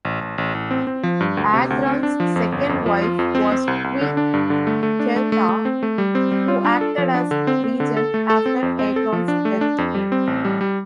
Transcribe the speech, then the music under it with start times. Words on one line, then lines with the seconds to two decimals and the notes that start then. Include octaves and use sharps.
Agron's second wife was Queen Teuta, who acted as regent after Agron's death.
0.05 A1
0.21 A1
0.38 A1
0.55 A1
0.71 C4
0.87 C4
1.03 F3
1.20 G2
1.37 D2
1.53 C3
1.70 D2
1.86 C4
2.03 D4
2.20 F3
2.36 F2
2.52 G1
2.69 F2
2.86 F3
3.02 F4
3.19 F2
3.35 C4
3.52 C4
3.68 C2
3.84 C2
4.01 D3
4.17 D4
4.34 G2
4.50 D3
4.67 A3
4.83 A3
5.00 D4
5.16 A3
5.32 A3
5.49 A3
5.65 C4
5.83 A3
5.98 G3
6.15 C4
6.31 G3
6.48 F4
6.64 D4
6.81 A4
6.98 F3
7.14 D4
7.31 D3
7.47 C4
7.64 C4
7.80 D3
7.97 A4
8.14 A3
8.30 A4
8.46 C4
8.63 F2
8.79 C4
8.96 A4
9.12 F3
9.28 D4
9.45 A3
9.61 D4
9.78 F2
9.95 G3
10.12 C4
10.27 A1
10.45 G3
10.61 G3